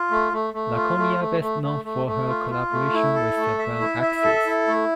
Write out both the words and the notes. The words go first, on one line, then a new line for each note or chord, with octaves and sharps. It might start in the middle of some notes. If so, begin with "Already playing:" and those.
Lakonia, best known for her collaborations with the band Axxis.
Already playing: F4
A3
A3
A3
F4
A3
A3
A3
A3
A3
A3
F4
F4
A3
E4
A4
A3
E5
E4
E5
A4
E4
A3